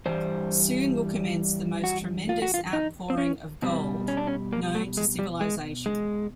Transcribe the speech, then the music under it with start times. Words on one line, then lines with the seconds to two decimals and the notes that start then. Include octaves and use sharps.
Soon will commence the most tremendous outpouring of gold known to civilization.
0.06 G2 E3 G3 C5
1.84 F#4
2.29 F4
2.42 F#4
2.54 F4
2.73 D#4
3.10 C4
3.18 C#4
3.62 B2 G3 C4
4.08 C#4
4.17 D4
4.27 C#4
4.53 A#3
4.75 A3
4.97 G#3
5.19 G3
5.41 G#3
5.86 G#3